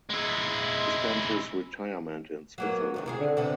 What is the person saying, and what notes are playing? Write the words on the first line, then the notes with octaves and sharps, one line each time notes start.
He spent his retirement in Switzerland.
G#3 E4
F#3 A#3 B3
D#2 C3 D#3
C3 F#4 G#4
D3
C3 B3